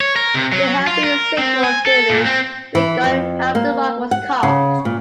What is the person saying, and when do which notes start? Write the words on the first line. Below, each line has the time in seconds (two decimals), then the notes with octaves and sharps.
There have been several theories regarding how the rock was carved.
0.01 C#5
0.16 A#4
0.34 C3
0.52 F#3
0.87 F4
1.04 A#4
1.38 C4
1.64 G#5
1.86 A4
2.10 A#2
2.25 C4
2.75 E3
3.04 F2
3.55 A#3
4.11 F#5
4.43 C#3
4.85 A#2